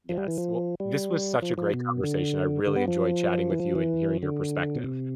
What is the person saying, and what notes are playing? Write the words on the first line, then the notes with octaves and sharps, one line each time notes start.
Yes, well, this was such a great conversation, I really enjoyed chatting with you and hearing your perspective.
F3
G3
E3
F3
G3
F3
F3
B2
D3
D3
B3
F3
E3
F3
E3
D3
B2
C3